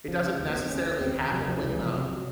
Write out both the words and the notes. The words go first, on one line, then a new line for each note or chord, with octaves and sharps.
It doesn't necessarily happen when, um,
C#3 F3
C#3
D#2
B3
D#2
C4
D#2 C#4
D#2
D#2 C4
D#2
C3 F#3
C3 F3
D#3
C#2 E3
C3 F3
C3 F#3
C3